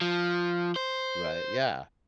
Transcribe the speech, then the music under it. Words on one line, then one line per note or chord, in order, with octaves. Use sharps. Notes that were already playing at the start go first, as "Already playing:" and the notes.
Right, yeah.
F3
C5